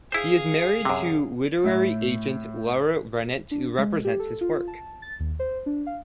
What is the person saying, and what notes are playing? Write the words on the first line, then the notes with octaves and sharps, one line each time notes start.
He is married to literary agent Laura Rennert, who represents his work.
E4 G#4 C5 F5
F#2 C3
A2 E5
D4
G#3
G4
A4
F4
A5
A6
D#2
C5
D4
F5